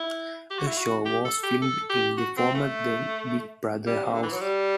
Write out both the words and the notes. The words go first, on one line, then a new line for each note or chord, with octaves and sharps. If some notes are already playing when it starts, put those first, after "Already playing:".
The show was filmed in the former then "Big Brother" House.
Already playing: E4
G4
F#4
E4
F#4
G4
A4
G4
A4
G4
F#4
C4
A3
G3
C3
D3
E3
F#3
G3